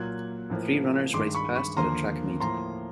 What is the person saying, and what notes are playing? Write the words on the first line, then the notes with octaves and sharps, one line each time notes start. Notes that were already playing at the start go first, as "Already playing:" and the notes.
Three runners race past at a track meet.
Already playing: A#2 F#3 A#3 F#6 G#6
A2 F3 A#3
G2 D#3 G#3 C6 D6
B5 C#6
B5 C#6
D#2 D3 F3 A#3 A#5 C6
A2 F3 A#3 A#5 C6